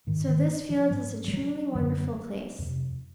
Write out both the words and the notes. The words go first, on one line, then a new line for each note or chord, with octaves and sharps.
So this field is a truly wonderful place.
G#2 D#3
D#3
F3
G#2 F#3
G3
F#3
F#2 D3 F#3
F2 C3